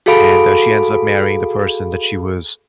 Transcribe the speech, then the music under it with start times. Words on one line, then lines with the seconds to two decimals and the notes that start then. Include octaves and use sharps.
and, uh, she ends up marrying the person that she was
0.06 F#4 G#4 A4 F5 B5 D7